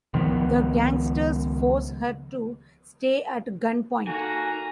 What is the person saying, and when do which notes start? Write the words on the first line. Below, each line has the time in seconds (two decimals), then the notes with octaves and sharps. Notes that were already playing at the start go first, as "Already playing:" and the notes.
The gangsters force her to stay at gunpoint.
0.14 C#2 D#3 F3 B3
4.07 A#3 D#4 F#4 A4 G#5 A#5